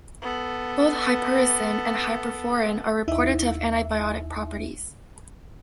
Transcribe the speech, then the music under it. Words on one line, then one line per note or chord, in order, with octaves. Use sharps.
Both hypericin and hyperforin are reported to have antibiotic properties.
B3 A4
D#2 D#4 E4 E5